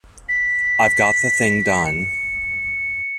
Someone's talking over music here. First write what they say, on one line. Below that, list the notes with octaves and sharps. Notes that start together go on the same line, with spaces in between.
I've got the thing done.
B6
C#7